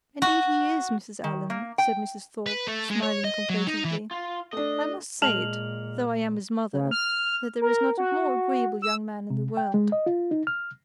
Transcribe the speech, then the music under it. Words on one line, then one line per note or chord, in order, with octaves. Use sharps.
"Indeed he is, Mrs. Allen," said Mrs. Thorpe, smiling complacently; "I must say it, though I am his mother, that there is not a more agreeable young man in the world."
F#4
D#3
A#3
G5
B4
A3
G#3
C#5
D#5
F#3
D#4
E3
F4
A3 D4 D#5
A#2 G#3 A5 F6 F7 F#7
C#3
F6
A#4
F#4
E6
C3
G5
G#3
D#5
F4
D#4
F6